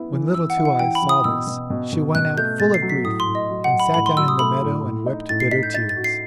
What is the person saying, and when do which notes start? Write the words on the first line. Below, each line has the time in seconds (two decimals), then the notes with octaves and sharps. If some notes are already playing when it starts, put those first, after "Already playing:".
When Little Two-eyes saw this, she went out full of grief, and sat down in the meadow and wept bitter tears.
Already playing: B3 E4
0.12 E3
0.34 E3 E6
0.50 F#5
0.57 E4
0.65 F#5
0.79 E3 G5
0.95 B5
1.02 E3
1.09 D#6
1.24 B2 E6
1.47 B2
1.70 B2
1.93 B2
2.15 B2 F#6
2.37 A3 G6
2.60 B2 A6
2.74 C7
2.82 F#3
2.89 B6
3.04 A2 D#6
3.20 C6
3.27 A2
3.35 D#5
3.49 F#3
3.64 F#5
3.72 F#3
3.80 B5
3.94 A2 B5
4.06 C6
4.17 F#3 E6
4.28 D#6
4.39 A3 B5
4.62 A2
4.84 A2
5.06 D#4
5.29 A2 A6
5.40 C7
5.51 D#4 B6
5.63 G6
5.74 D#4 A6
5.89 A6
5.97 F#4
6.04 C7